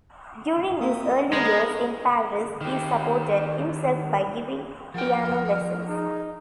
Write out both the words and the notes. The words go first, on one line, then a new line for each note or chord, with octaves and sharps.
During his early years in Paris he supported himself by giving piano lessons.
A#3 C4 E5 D#6
G#3 B3 A#4 C5 D#5
D#3 G4
F3 A#4 F#5 G5
D#4 G#4